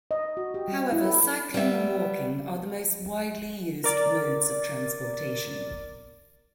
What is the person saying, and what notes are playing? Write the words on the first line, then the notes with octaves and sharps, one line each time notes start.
However, cycling and walking are the most widely used modes of transportation.
D#5
F#4
G4
G3
E4
A4
G3 B3 E5
A#4 D5 A6